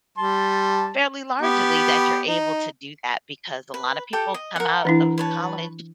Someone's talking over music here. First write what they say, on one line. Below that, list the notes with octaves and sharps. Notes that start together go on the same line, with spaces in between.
fairly largely that you're able to do that because a lot of people come out of college
G3 A5 C6
B3 G4
D#4
B4
G4 A4 G5
D#5
A#4 F#5
E3 D4 E4
B4 C#5 A5